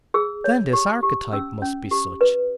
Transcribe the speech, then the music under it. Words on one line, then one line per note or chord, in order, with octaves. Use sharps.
'Then this archetype must be such.'
G#4 E6
C#5
G4
G4
C#4 E6
C#4
G4
B4